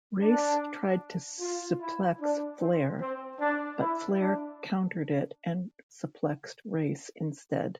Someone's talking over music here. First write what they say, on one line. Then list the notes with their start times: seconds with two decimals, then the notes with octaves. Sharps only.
Race tried to suplex Flair, but Flair countered it and suplexed Race instead.
0.21 D4
1.40 F4
1.80 E4
2.20 D4
2.60 C4
3.00 C4
3.40 D4
3.80 E4
4.19 D4